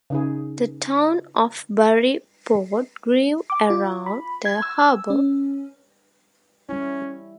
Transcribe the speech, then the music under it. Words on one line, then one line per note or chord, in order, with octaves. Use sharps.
The town of Burry Port grew around the harbour.
C#3 D#4 G#4
D6
F4
B5
G#6
E6
C#4
G3 C#4 E4